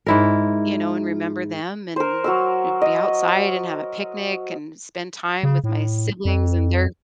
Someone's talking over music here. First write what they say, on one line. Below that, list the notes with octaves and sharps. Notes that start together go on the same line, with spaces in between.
you know, and remember them and, eh be outside and have a picnic and spend time with my siblings and their
G#2 E4 A#4
A#4 C5
F#3 A#4 E6
D#5
C#3
A2
F2